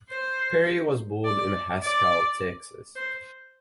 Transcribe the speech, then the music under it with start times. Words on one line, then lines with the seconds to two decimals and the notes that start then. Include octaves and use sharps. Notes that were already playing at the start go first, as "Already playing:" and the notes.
Perry was born in Haskell, Texas.
0.10 C5
1.25 D5
1.82 D5
2.96 C5